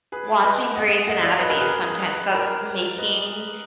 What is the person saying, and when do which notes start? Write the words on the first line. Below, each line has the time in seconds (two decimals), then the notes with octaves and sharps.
watching Grey's Anatomy, sometimes that's making
0.12 G#4 B4
0.44 B4 D#5
0.76 D#5 F#5
1.07 D#5 F#5
1.23 D5 F5
1.39 B4 D#5
1.49 F#4 A#4
1.60 G#4 B4
2.34 A#4 D5
2.98 B4 D#5